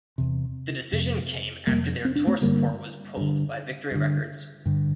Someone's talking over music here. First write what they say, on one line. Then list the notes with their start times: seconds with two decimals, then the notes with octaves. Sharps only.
The decision came after their tour support was pulled by Victory Records.
0.18 E2 C3
0.92 F2 C3
1.67 F2 C3 G3 A#3
2.05 C4
2.16 D4
2.27 A3 C4
2.41 G2 D3 G3 A#3
3.17 G2 D3
3.91 G2 D3
4.66 G2 D3